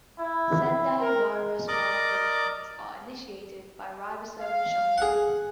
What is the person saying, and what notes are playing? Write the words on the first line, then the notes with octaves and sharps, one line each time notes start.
Sendai virus Y proteins are initiated by ribosome shunting.
E4
E4
A#4
A#4 D5 D#5 D6
F5
G#4 F#5